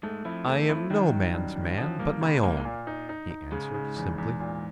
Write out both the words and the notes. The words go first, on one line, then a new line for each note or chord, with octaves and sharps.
"I am no man's man but my own," he answered, simply.
G#2 G#3 A3
F2 F3 E4
E2 E3 A3
F2 F3 E4
F#2 D#3 F#3
D#3
G2
D#3
F#2 F3 F#3
G2 G3 A#3
C#2
G#3 A#3
G3
G#2 G#3
A#2
D#4
D#4
D#4
G#2 C#3 G#3
C#3
E2
E2
A#2